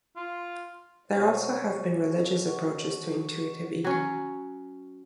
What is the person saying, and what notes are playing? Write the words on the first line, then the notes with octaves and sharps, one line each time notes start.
There also have been religious approaches to intuitive eating.
F4
B2 F#3 C5 G#5
F#4
F#3 C#4